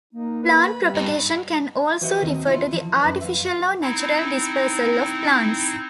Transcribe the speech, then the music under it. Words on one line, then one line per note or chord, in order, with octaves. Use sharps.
Plant propagation can also refer to the artificial or natural dispersal of plants.
A#3 D#4
B4
B5
G3
G2 D#4
F#4 B4 C5 D#5 E5 F#5
D#2 C3 D#5
E4 F4
F3
F#2 B4 C5
E5 F5
C4 D#4 E4